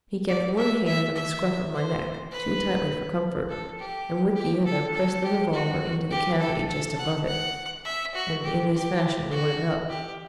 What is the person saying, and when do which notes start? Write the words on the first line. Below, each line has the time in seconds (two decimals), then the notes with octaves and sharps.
He kept one hand on the scruff of my neck--too tightly for comfort--and with the other pressed the revolver into the cavity just above it, and in this fashion we went up.
0.28 D5
0.57 E5
0.86 E5
1.15 E5
1.74 C5
2.31 B4
3.49 A4
3.78 G4
4.35 G4
4.65 A4
4.94 A4
5.23 G4
5.52 F#4
6.10 G4
6.39 A4
6.69 A4
6.98 F#5
7.26 F#5
7.85 E5
8.15 F#4
8.43 G4
8.73 G4
9.31 F#4
9.89 G4